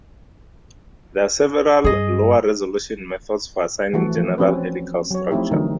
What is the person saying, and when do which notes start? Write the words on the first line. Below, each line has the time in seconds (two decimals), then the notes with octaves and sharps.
There are several lower-resolution methods for assigning general helical structure.
1.84 G2 G#4 D#5
3.94 E3 F3 A3 F#4 A4
4.14 F3 F#3
4.38 F3 C4 C#4 F#4 B4
5.11 F#3 C#5
5.31 F3 A3 C4 D#4 E4 G4
5.51 D3 E3 F#3 A3 D#4 A#4